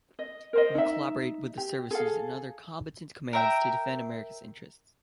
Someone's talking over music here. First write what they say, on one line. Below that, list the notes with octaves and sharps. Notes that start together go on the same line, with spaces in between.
We will collaborate with the Services and other Combatant Commands to defend America's interests.
D#5
A#4 C5 D#5
D#4 E5
G4
G#4 A4 F5
A#4 E5 G5